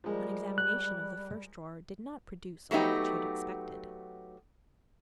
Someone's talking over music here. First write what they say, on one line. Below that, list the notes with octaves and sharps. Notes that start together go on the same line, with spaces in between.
An examination of the first drawer did not produce all that she had expected.
F3 G3 G#3 A#4
F#6
F#3 A3 B3 D#4 G4